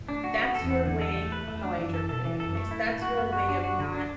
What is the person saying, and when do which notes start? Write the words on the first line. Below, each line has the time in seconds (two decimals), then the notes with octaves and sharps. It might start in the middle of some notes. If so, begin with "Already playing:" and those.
that's your way- how I interpret it anyways- that's your way of not
Already playing: A2
0.09 D4
0.24 F#4
0.40 B3
0.55 E2 A4
0.70 B3
0.85 D3
1.01 A4
1.16 A3
1.32 B4
1.48 E2 A3
1.63 D4
1.78 F#2 E3
1.94 A4
2.09 B2 A4
2.25 E3
2.40 F#2 A4
2.55 A3
2.71 A2 E4
2.87 A3
3.02 F#2 F#4
3.17 B3
3.33 F#4
3.48 D4
3.63 F#4
3.79 D3
3.94 D4